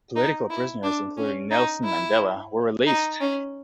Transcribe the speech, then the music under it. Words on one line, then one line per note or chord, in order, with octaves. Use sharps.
Political prisoners including Nelson Mandela were released.
D#4
E4
D4
C#4
D#4
E4
D#4
C#4